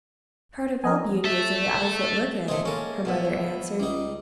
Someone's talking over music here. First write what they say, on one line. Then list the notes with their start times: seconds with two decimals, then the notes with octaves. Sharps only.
"Part of all beauty is in the eyes that look at, it," her mother answered.
0.84 F3 A#4 D#5 G#5
1.24 A4 E5
2.48 C3 A3 C4 D#4 G#4
2.65 G#3 A#3 C#4 A4
3.05 F3 B3 E4
3.80 C#2 G3 D#4